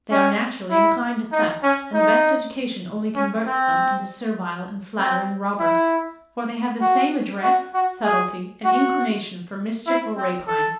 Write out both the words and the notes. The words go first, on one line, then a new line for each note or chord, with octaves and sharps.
They are, naturally, inclined to theft, and the best education only converts them into servile and flattering robbers; for they have the same address, subtlety, and inclination for mischief or rapine.
C#4
E4
D#4
C#4
D#4
C#4
C4
C4
E4
F#4
F#4
F#4
G#4
F#4
E4
C4
A4